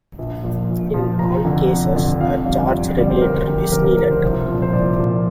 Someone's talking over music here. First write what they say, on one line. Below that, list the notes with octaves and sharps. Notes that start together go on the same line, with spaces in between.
In all cases, a charge regulator is needed.
A#1
A#2 F3
A#1
A#2 F3
F1 A#5
F2 D3
F1
F2 D3
F2 F5
D3 G3
F2
D3 G3 D5
C5
D2 A#4
D3 F3 G4
D2 A#4
A#4
D3 F3 A#4
C5
C2
A#2 F3
C5
C2 D5
A#2 F3